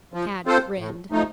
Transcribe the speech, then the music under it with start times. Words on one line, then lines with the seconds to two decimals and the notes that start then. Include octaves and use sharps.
Tad grinned.
0.13 F3
0.46 C4 F4 A4 C5
0.78 A2
1.12 F3 A3 D#4